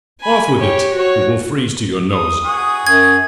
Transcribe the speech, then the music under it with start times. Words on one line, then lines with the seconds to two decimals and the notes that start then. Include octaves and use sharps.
"Off with it, it will freeze to your nose!"
0.21 G#5 B5
0.59 G4 C#5
0.94 F#4 C#5
2.10 D#6
2.44 F#4 G#4
2.87 F#2 G#6